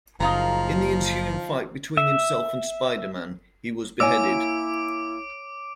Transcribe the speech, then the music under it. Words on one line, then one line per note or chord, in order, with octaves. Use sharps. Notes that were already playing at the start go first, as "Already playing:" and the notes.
In the ensuing fight between himself and Spider-Man, he was beheaded.
F#1 F3 D#4 F4 A#5
E5
A#3 E4 C#5 G#5 D6 E6 D7